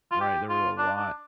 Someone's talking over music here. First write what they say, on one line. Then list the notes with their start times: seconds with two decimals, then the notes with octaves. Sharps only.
right? There were a lot
0.11 F4
0.20 G4
0.49 F4
0.78 D4
0.97 D4